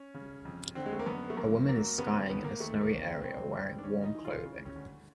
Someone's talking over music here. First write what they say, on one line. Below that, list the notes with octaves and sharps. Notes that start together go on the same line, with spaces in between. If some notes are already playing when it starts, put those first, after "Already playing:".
A woman is skying in a snowy area wearing warm clothing.
Already playing: C#4
C#3
F2
D3 C4
G#3
A3
A#3
F#2 B3
A3
F#2 A#3
F#3 A#3
C#3 B3
C4
D#2 B3
A#3
D#2 A3
A#3
D#2
C4
G2 C4
G3
D4
G2 C#4
D#4
E3
F4
C#3
C#4
D2